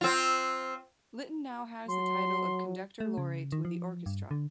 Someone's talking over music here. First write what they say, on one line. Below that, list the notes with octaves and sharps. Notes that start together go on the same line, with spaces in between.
Litton now has the title of conductor laureate with the orchestra.
C4 F4
F#3 C6
A3
C#3
D#3
F3
G2
D3